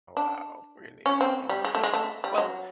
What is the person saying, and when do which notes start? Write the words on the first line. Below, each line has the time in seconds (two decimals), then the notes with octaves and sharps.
wow, really? Oh my god. Well,
0.17 D4
1.06 C#4
1.21 C4
1.49 G3
1.65 G#3
1.75 A3
1.83 G#3
1.93 A3
2.24 G3
2.38 F#3